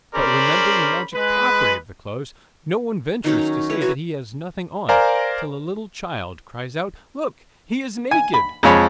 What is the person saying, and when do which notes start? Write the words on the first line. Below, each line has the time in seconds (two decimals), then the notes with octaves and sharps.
But remembering the magic property of the clothes, no one ventures to say that he has nothing on till a little child cries out: "Look, he is naked!"
0.15 C#4 G#4 A#4 C5 D5 B5
1.15 G#3 B4
3.24 D#3 F#3 C#4 D#4
3.39 A#5
3.69 E4 B4 C#5
3.81 F#3 F#4
4.89 A#4 C5 D5 F5 G#5 A#5
8.11 G#5
8.34 B5
8.63 F2 G#3 F4 C#5 B5